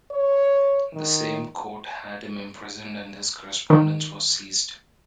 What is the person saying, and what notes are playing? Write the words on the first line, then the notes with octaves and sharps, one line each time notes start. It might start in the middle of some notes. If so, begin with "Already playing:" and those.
The same court had him imprisoned and his correspondence was seized.
C#5
D#3
D#3